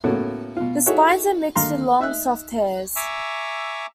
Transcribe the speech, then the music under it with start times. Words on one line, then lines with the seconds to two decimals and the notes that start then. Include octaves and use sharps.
The spines are mixed with long, soft hairs.
0.04 A2 C#3 A#3 B3 F#4 A4
0.57 B2 F4
0.86 D#4 E4 F#4 G#4 A4 C#5
1.55 D#2 D3 F5 A#5 C6
1.99 D#4 E5 E6 F#6
2.96 E5 G#5 A#5 C#6 D6 E6